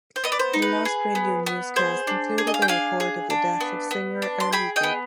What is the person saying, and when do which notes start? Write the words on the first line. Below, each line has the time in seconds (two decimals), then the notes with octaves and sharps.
His last radio newscast included a report of the death of singer Andy Gibb.
0.16 C5
0.24 B3 D#5
0.32 D5
0.39 C5
0.54 D#4
0.62 B4
0.85 G#4
1.15 B3
1.46 B3
1.76 G#4 C5
2.07 D4
2.38 G#4
2.47 D#5
2.54 F5
2.62 G5
2.68 D4 F5 G#5
3.00 G#4
3.30 D4
3.60 B3
3.91 B3
4.22 D4
4.40 C6
4.52 G#4 G5 B5
4.76 D#5 G5
4.83 B3